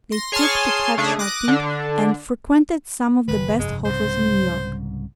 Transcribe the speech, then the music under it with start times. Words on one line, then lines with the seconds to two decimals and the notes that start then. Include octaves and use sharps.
They took to card-sharping, and frequented some of the best hotels in New York.
0.12 C6 A#6
0.32 G#4 C#5 G#5 A5 C6 F6
0.97 C#3 A3 D4 G#4
1.19 D6 D#6 F#6 A#6
1.48 D3 D4
3.28 F#1 D#3 B4
3.59 F1 G2 G#3
3.85 C2 G#2 C#3 C5